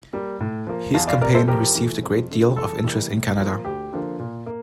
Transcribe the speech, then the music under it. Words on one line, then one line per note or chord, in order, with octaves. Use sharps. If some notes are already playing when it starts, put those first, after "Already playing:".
His campaign received a great deal of interest in Canada.
G3 A#3
A2
F3 A#3
E2 F5 A5
D5 F5
C3 G3 A#4 D5
A4 C5
F2 G4 A#4
E3 A3
F2
D3 A3
E2 A4
E3 G3 A#3
A2
F3 A#3
D2 G4
D3 F3 A#3
A#2
A#3